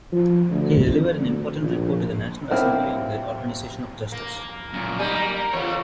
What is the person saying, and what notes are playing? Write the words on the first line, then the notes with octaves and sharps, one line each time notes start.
He delivered an important report to the National Assembly on the organization of justice.
F3
D2
F2
D2
A#1
F#3 A#3 C4 E4 G4
A#3
F#2 A#2
G3 A#3 D#4 G#5
A#4
E2 F4 C#5